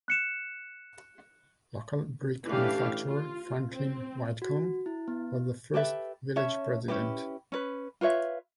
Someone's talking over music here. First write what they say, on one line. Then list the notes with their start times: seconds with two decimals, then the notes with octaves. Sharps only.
Local brick manufacturer Franklin Whitcomb was the first Village President.
0.08 F#6 C#7 E7
2.46 E3 A3 C#4 D4 G4 F5
3.07 F4
3.71 C4
4.42 F#4
4.86 E4
5.08 B3
5.74 G4 A4 B4 E5
6.36 C#4 C#5 E5 A5
6.88 C#4 E4 G4 B4
7.52 C#4 B4
8.01 F4 B4 C#5 E5